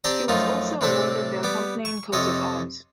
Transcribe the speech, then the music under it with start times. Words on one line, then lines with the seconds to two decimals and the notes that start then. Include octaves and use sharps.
He was also awarded the accompanying coat of arms.
0.04 C4 G4 C5 D5 A5 A#5
0.28 F#2 F3 A3 D#4 F4
0.81 A2 C3 C4 D4 A4 E5
1.43 G3 B3 D6
1.85 C#6
2.13 F2 C3 A4 C#5 D#5